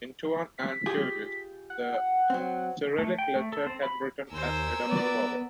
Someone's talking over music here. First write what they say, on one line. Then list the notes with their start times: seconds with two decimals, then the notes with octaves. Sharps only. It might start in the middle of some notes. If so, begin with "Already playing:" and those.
In Tuvan and Kyrgyz the Cyrillic letter can be written as a double vowel.
0.58 B6
0.86 F4 G4 G#4
1.70 F#5
2.30 F#3 C4
2.98 A3
3.18 G5
3.36 A3
3.52 A4
3.66 C4
3.82 B5
4.31 D#2 A#4 C5 G#5 E6
4.86 B3 B4 D5